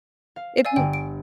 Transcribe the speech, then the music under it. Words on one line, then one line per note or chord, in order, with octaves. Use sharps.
if you
F5
D5 F5 G#5 E6
G1 G5
D7